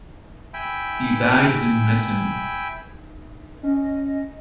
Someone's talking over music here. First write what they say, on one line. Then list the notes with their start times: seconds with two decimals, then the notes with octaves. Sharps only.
He died in Metten.
0.54 E5 G5 G#5 B5
3.63 C#4 D#5